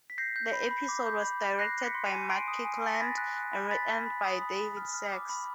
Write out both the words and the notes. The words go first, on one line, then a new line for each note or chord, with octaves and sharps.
The episode was directed by Mark Kirkland, and written by David Sacks.
B6
G6 A#6 C7
G6
B5
B5
D6
G6
B5
B5
F#6 A#6 C7
F#6
B6 C#7
C6
C#7 D#7
G#5
C6 C7 D7
D#6
G#5
G#5
A#6
B5 A6 B6
F#6
F#6
B5
B5 A6 B6
B5
B5
D#6
B5
B5
F6
F6
D6
B5